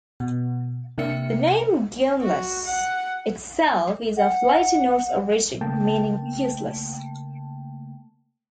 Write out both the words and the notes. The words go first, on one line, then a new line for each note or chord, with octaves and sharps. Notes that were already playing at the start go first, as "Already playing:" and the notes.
The name Gaunless itself is of later Norse origin, meaning useless.
B2
C3 A#3 D4 E5 C#7
F#4
F#5
F#5
C#3 A3 A#3 G5 A5